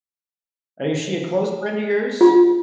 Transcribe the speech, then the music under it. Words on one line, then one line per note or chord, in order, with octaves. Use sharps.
Uh, is she a close friend of yours?
F4